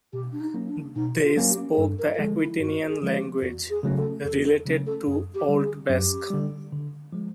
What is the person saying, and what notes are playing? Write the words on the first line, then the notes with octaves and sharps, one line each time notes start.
They spoke the Aquitanian language, related to Old Basque.
B2 G4
D4
D#4
F#3 A#3 C#4
D4
B2 D#4
F4
F#3 A#3 C#4
G4
G#4
G2 A4
A#4
A#4
D3 F3 G#3 A4
E4
G2 F#4
G#4
D3 F3 G#3
G4
E2 F#4
G#4
C#3 F#3 A3 C#4
A4
E2 A4
A4
C#3 F#3 A3 C#4
A4
F#2 G#4
G4
D3 G3
G#4
F#2 G4
D3 G3
D3
F3 G#3